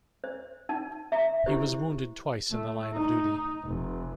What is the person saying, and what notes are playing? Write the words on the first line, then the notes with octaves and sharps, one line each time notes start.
He was wounded twice in the line of duty.
C5
D#4 A5
E5 A#5
E4 G4 C5
A3
D#4
F1